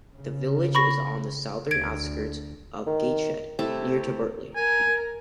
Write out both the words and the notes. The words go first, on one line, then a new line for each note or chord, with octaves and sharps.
The village is on the southern outskirts of Gateshead, near to Birtley.
C#3
B5 C#6 A#6
D2 G#6 D7
D#3
C3 A3 E4 A5
A#4 G#5